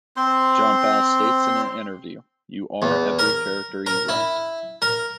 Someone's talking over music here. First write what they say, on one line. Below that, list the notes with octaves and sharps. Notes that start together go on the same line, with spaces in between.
John Fowles states in an interview: You are every character you write.
C4 C5 C6
E2
A#4
A#4
E4
A#4